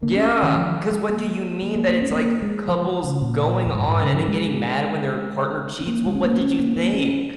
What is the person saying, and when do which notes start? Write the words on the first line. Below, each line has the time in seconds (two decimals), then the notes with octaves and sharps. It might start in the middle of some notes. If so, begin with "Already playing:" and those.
Yeah, 'cause what do you mean that it's, like, couples going on and then getting mad when their partner cheats? Well, what did you think?
0.03 A#3
0.16 C#4
0.29 C#4
0.43 D#3
0.56 F3
0.91 G#3
1.09 A#3
1.62 A#3
1.76 A#3
1.89 A#3
2.02 C#4
2.11 G#3
2.16 A#3
2.42 G#3
2.69 F3
3.04 C#3
3.22 A#2
3.66 F2
3.75 G#2
3.88 G#2
4.02 C#3
4.15 F3
4.28 G#3
5.80 C#4
5.87 A#3
6.06 G#3
6.15 C#4
6.24 A#3
6.41 C#4
6.59 A#3
6.76 A#3
6.93 C#4